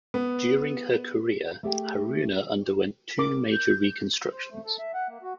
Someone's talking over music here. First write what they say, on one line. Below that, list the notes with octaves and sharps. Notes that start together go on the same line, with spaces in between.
During her career, "Haruna" underwent two major reconstructions.
B3
A3 G4 G#4 D#5 E5 G5
A#4 D6
G6
C5
A3
A4
E5
F#5
A#3
F#4